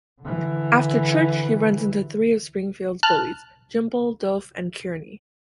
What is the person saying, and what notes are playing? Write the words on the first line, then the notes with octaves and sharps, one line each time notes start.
After church, he runs into three of Springfield's bullies: Jimbo, Dolph, and Kearney.
D3 E3
A5 F6 F#6